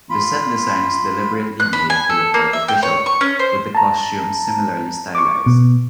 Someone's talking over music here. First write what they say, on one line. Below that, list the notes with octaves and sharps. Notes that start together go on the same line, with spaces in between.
The set design is deliberately made to look artificial with the costumes similarly stylised.
F4 B5
F#6
B5
G#5
A4
A#3
E5
G5
C#5
C#6
C#4
C5
A5 A#5
C#6 D6
B2